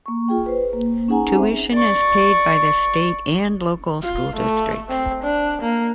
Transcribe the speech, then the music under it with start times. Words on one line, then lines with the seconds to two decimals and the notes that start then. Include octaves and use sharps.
Tuition is paid by the state and local school district.
0.06 A#3 C#6
0.28 F4 G#4 G5
0.46 B4 C5
0.73 A#3
1.08 C#4 D#4 G#4 F#5 G#5 A#5
1.35 C4 C5 E5
1.75 D5 C#6
4.03 F4
4.36 A3
4.90 C4
5.23 D4
5.62 A#3